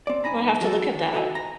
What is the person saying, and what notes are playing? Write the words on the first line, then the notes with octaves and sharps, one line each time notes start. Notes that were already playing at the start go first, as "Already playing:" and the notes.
I'm gonna have to look at that.
C4 D5
C2 D#4 G#5 A#5 B5
E2 F#3 G#3 C#4 F#4 A4
D#3
E4 F#4 A4 A#4 D#5 E5
A#5